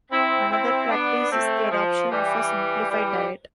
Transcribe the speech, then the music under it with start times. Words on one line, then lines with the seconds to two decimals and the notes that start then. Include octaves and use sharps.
Another practice is the adoption of a simplified diet.
0.12 C4 E4
0.51 C4 E4
0.91 B3 D4
1.31 A3 C4
1.71 F3
2.11 E3 G3
2.90 E3 G3